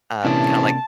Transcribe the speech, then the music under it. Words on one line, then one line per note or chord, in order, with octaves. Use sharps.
uh, you know, like
C3 E3 A#3 C#4 D4 G4 C#5 A5